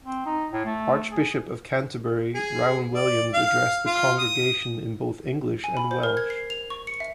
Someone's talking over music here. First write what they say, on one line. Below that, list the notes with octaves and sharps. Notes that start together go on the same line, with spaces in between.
Archbishop of Canterbury Rowan Williams addressed the congregation in both English and Welsh.
C4
D#4
A2
A3
G#4
G#4
D5
F5
F4
D#6
G#5
B5
C5
A#4
G#6
C7
F7
C#6
C#7
E5